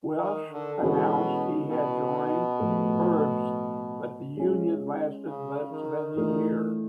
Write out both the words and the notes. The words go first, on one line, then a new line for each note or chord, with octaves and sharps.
Walsh announced he had joined Herbs, but the union lasted less than a year.
D#3
D3
B2 E3 G#3 C#4 F#4 A4
B2
A2 F3 A3
G#3 C#4 F4
C#3
D#3
D#3 E3 A3 D4 F4